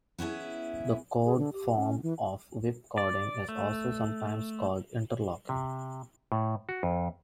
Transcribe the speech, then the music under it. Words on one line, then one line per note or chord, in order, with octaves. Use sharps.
The cord form of whipcording is also sometimes called Interlocking.
B3 C#4 E4 G#4
G#4
D3
G4
C#4
E3
D5
A3
C3
A2
F#4
F2